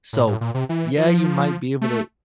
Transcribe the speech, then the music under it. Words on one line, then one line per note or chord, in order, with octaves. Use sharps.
so, yeah, you might be able to
A2
A2
A#2
C3
E3
F3
A3